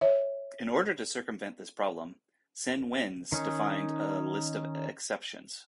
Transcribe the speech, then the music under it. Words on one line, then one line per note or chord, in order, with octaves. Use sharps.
In order to circumvent this problem, Sin Wenz defined a list of exceptions.
C#5 E5
D#3 C#4 D#4